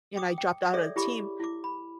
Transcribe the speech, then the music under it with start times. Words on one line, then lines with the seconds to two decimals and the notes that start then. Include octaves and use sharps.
and I dropped out of the team,
0.16 G5 D6 D#6
0.38 G5
0.74 G#4 A4 C#5 D5 E5 C#6
0.96 E4 G4 B5 D6
1.40 E4 D6
1.64 B5